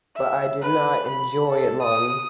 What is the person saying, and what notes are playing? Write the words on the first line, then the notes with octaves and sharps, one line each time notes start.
But I did not enjoy it long.
E5
B4
B5
A4
D#6